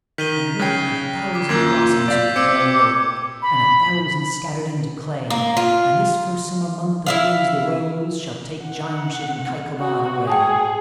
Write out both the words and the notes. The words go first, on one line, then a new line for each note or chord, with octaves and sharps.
And look--a thousand Blossoms with the Day Woke--and a thousand scatter'd into Clay: And this first Summer Month that brings the Rose Shall take Jamshyd and Kaikobad away.
D#3 B6 D#7 G7
C#3 G5 F#6 G#6 C7
D6 B6
F#2 A#3 F4 E6 G6 G#6
D5 F5 G6 B6
C4 D6 E6 G#6 C#7
B5
A#3
F4
E4 E5 F5
F#5
F#4
G#4 G5 A5 D#6